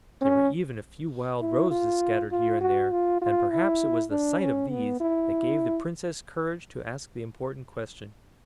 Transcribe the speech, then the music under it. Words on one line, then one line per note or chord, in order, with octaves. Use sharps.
There were even a few wild roses scattered here and there and perhaps it was the sight of these that gave the Princess courage to ask the important question.
C#4
E4
F4
F4
F#4
F4
F4
E4
D4
C#4
B3
E4